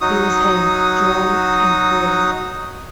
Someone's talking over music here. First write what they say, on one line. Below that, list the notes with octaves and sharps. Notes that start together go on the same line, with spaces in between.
He was hanged, drawn and quartered.
F#3 D#4 F#4 D#6